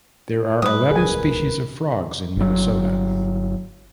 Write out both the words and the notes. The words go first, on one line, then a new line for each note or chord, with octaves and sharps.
There are eleven species of frogs in Minnesota.
A2 G3 A3 B4 D#6
D#1 C#2 G#4 A#4 G#5
G1 F#3